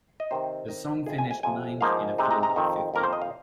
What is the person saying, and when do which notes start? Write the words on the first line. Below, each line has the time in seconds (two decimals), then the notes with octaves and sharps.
The song finished ninth in a field of fifteen.
0.20 D#5
0.31 C3 D#3 C4 C5
0.68 D#3 C4 D#4 D#5
0.87 C5
1.06 F2 C3 G#3 G#4
1.18 G#5
1.31 G#5
1.43 F2 C3 F3 G#5
1.81 G#2 F3 A#3 D#4 F5
2.18 C3 G#3 D#4
2.31 A#5
2.43 A#5
2.56 F2 D#3 C4
2.94 F2 D#3 A#3 A#4
3.03 C5
3.13 D#5
3.22 F5